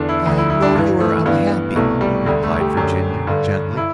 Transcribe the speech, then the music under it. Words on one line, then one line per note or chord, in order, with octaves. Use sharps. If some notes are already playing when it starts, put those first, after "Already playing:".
"I know you are unhappy," replied Virginia, gently.
Already playing: E2 D3 D4
E4
D2 D3
E4
E4
D4
G2 E3
A3
G2 E3 B3
B3
C2 B2 A3
G3
D2 D3 G3
A3
G4
F#2 D3
G2 D3
E4